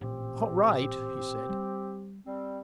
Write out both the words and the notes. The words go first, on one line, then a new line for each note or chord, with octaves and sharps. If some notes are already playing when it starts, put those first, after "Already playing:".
"All right," he said.
A1 A#2 C4 G4
G3
G3 C4